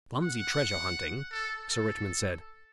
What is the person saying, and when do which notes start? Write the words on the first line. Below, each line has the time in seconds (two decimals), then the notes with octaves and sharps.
"Clumsy treasure hunting," Sir Richmond said.
0.22 F#5
1.31 A4
1.71 A4